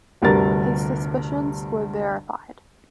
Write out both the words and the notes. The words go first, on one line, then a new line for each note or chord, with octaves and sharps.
His suspicions were verified.
G1 D2 G2 C3 A#4 A6